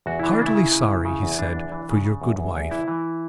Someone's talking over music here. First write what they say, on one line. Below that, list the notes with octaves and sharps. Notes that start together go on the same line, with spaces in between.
'Heartily sorry,' he said, 'for your good wife.
E2 F#4
E3 E4
D4
C#3
E4
C#3
C#3
C#3
C#3
E2
E3 D4
E2
E3
C#3
C#3
E2
E2
E2
E3 E4
E3